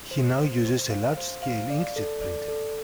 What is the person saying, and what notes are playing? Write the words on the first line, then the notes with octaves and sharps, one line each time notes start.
He now uses a large-scale inkjet printer.
C5
C5
C5
F5
C5
F5
D5
A4
D5
A4